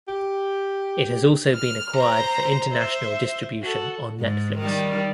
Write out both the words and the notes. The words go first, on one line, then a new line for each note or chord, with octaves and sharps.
It has also been acquired for international distribution on Netflix.
G4
F6
C5 A#5
C5 E5
F#4 A4
G#2
D#3 G3